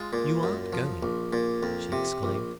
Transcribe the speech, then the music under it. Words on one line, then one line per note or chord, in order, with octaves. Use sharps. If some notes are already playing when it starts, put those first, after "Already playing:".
"You aren't going?" she exclaimed.
Already playing: G#3 F4
A#2
F#2
F3
A#1
A#2
F2
C3
A#1